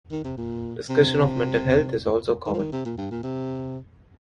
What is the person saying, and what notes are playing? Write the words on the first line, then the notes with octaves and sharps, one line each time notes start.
Discussion of mental health is also common.
D#3
C3
A#2
C3
D#3
F3
D#3
C3
A#2
G2
A#2
C3